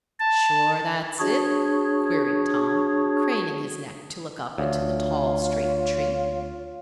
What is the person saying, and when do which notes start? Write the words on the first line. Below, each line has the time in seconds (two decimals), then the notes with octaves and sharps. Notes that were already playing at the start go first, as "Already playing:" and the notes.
"Sure that's it?" queried Tom, craning his neck to look up into the tall, straight tree.
0.20 A5
1.19 D4 F#4 G#4 C#5
4.58 D2 F4 C#5